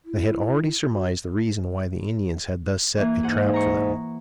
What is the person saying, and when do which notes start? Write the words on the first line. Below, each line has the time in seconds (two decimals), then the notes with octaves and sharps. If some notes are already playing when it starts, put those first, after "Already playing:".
They had already surmised the reason why the Indians had thus set a trap for them.
0.05 E4
0.93 F#4
2.98 E3 A#3
3.23 G#2 G#4 C5 F#5
3.54 A#5 C#6